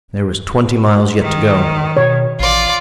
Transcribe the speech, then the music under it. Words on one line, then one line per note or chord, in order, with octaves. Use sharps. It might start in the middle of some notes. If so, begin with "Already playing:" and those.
There was twenty miles yet to go.
D#3
B2 C#5
A1 F4 D5